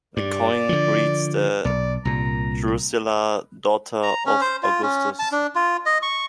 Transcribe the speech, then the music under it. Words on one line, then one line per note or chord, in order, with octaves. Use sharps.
The coin reads to Drusilla, daughter of Augustus.
G2 D5
D3 F3
B1 D5
C2 A#2 A#5
A#5
C#4
C5
F4
C#4
A5
D4
F4
D#5
C#6